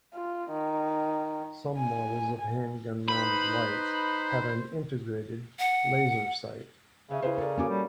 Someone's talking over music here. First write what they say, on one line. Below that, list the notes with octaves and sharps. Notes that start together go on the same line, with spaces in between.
Some models of handgun-mounted lights have an integrated laser sight.
F4
D#3
G#5
D#4 B4 C5 B5
F#5
C#3 E5
C#3 E4 B4 C5
A4 A#4 D5
A#3 C#4 F#4 A4 G#5 D6
G3